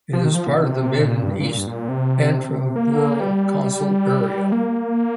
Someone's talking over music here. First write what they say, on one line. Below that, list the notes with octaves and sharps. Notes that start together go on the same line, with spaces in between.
It is part of the Mid and East Antrim Borough Council area.
F3
D#3
F3
A#2
C3
A#2
G2
G2
A#2
G2
A#2
C3
A#3
G3
G3
A#3